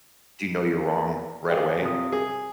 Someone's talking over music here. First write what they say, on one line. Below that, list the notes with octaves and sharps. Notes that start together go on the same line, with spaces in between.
do you know you're wrong right away?
A#3
G#4 C5 D5 D#5 F5 G5
C3 F4 D#6
G#4